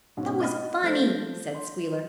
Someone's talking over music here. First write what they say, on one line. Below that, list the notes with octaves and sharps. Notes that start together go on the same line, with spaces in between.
"That was funny," said Squealer.
G#2 B2 C#4
D#5 F#5 B5 F6
F3 A3 C5 G6 A#6
C6